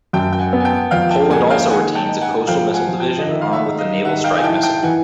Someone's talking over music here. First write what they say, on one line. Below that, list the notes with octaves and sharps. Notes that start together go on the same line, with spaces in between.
Poland also retains a Coastal Missile Division armed with the Naval Strike Missile.
F#2 G5 A5
G5
F#5 G#5
B3
G#5
G5 A5
F2 F5 G5
G5 A5
A#3 F#5 G#5
F5 G5
D#3 F#5 G#5
G5 A5
D#4
F#5 G#5
F3 F5 G5
F#5 G#5
F3
G5 A5
D#5
D#3 E5
F5
E5 F#5
D#4
D#5 F5
D#3 E5 F#5
F5 G5
G#5
E4 G5 A5
G5 A5
E3 F#5 G#5